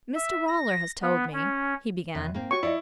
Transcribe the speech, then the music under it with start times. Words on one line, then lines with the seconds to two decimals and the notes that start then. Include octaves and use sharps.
'Mr Waller has told me--' he began.
0.15 E5
0.48 A#6
1.02 B3
1.33 C#4
2.15 E2 C3
2.34 G#2 A#3 C4
2.51 F#4 G4 C#5 C#6
2.63 F3 E4 D5 D#5